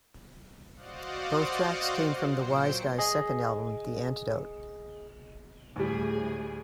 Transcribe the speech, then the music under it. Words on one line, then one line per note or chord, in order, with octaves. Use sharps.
Both tracks came from The Wiseguys second album, "The Antidote".
F#4 C5 D5 D#5 F5 F#5
A#2 F#3 C5 G5 C#7
G#4 D#5
D2 A2 G3 G#4